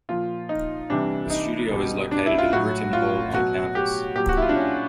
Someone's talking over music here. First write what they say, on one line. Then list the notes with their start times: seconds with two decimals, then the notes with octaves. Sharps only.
The studio is located in Brittain Hall on campus.
0.09 A#2 F3 F4
0.49 D#4
0.90 C3 E3 G3 D4
1.30 D#4
1.71 B2 G3
2.11 D4
2.26 E4
2.38 F4
2.53 A2 F#3 F#4
2.93 F4
3.33 B2 F#3 F#4
3.75 G4
4.15 A#2 F#3 G4
4.29 F#4
4.37 E4
4.42 F4
4.49 D4
4.56 C#4